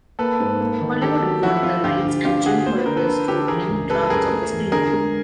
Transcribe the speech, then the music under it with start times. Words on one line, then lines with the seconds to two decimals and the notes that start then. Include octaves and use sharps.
Hollywood brought the rights and Jim Fergus wrote many drafts of the screenplay.
0.19 A#3 A4 B4
0.40 G#2
0.60 A#3
0.81 D#3
1.02 D#3 G4 A4
1.22 F#3
1.42 F3 E4 F#4
1.63 F3 F4
1.84 D2 F4 G4
2.05 D2
2.25 G2 F4 G4
2.46 D3 F#4 G#4
2.66 A#3 C5
2.76 B4
2.86 D3 A#4
2.96 A4 B4
3.08 D3
3.28 D3 G4 A4
3.48 E3 G#4 A#4
3.69 C#2
3.90 G3 A4 B4
4.10 F#2 G#4 A#4
4.31 A3
4.51 E2
4.72 D3 G#4 A#4
4.93 G#3